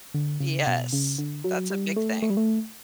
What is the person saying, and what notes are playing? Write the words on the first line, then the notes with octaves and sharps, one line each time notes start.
Yes. That's a big thing.
D3
C#3
B2
C#3
D3
F#3
G3
A3
A3
G3
A3